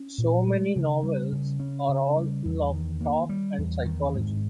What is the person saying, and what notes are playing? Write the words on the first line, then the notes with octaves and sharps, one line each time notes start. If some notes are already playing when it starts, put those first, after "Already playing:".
So many novels are all full of talk and psychology.
Already playing: C#4
A#2
G#3
C#3
G3
C#3
C#4
C#3
G3
E2
D#3
A#3
G3
E2
D#3
G#2